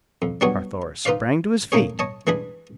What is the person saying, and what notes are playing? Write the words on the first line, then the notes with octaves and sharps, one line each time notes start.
Carthoris sprang to his feet.
F2
F#3 G3 B3 D4 G#4 C#5
D#4 F4 B4 C5 D5 F5
A3 A#3 D#4 G#4 C#5
C#5 D#5 A5
E3 G#3 D4 G#4 B5